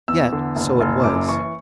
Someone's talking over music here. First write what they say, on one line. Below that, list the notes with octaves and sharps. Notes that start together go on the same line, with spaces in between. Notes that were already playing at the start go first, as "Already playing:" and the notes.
Yet so it was.
E2 E6
D3
F#1
F#1
F#2 D6
E3 C#6